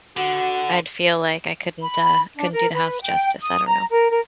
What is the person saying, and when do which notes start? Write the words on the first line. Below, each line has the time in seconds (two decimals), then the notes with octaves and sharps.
I'd feel like I couldn't, uh, I couldn't do the house justice, I don't know.
0.17 D3 F#4 F#5
1.82 B5
2.37 D4
2.52 A#4
2.73 B4
3.03 G5
3.43 D#6
3.68 A#5
3.92 A#4
4.10 A#4